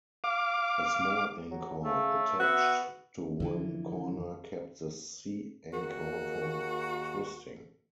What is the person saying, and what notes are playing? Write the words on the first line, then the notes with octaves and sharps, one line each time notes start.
A small anchor attached to one corner kept the sea anchor from twisting.
F5 D6
F#3
C#3 A3
B3 F#4 E5
F2 D3 E3
D#2 F#4 G#4 A#4